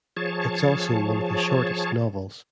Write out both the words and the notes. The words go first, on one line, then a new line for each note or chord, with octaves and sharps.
It's also one of his shortest novels.
F3 G#4 C#5 A5